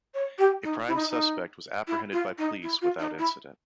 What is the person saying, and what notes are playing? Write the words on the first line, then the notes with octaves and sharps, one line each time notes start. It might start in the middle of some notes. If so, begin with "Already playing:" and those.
A prime suspect was apprehended by police without incident.
C#5
G4
D#4
E4
D#4
D#4
E4
F4
D#4
E4
F4
D#4
E4